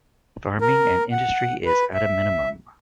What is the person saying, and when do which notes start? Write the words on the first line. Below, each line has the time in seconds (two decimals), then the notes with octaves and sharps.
Farming and industry is at a minimum.
0.61 A#4
1.11 F#5
1.65 B4
1.94 E5